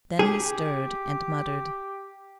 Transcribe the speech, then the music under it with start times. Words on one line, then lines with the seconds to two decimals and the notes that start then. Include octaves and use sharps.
Then he stirred and muttered.
0.19 G4 G#4